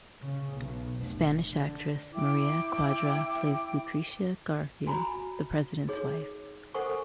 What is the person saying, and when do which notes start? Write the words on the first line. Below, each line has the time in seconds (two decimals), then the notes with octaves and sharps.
Spanish actress Maria Cuadra plays Lucreatia Garfield, the President's wife.
0.22 C#3
0.52 B1
0.98 F1
1.51 D3
2.12 E4 G5 D6
4.87 F#4 G#5 A#5 B5
5.88 D#4 G#4 C#5
6.74 A4 A#4 C5 F#5 G#5 C#6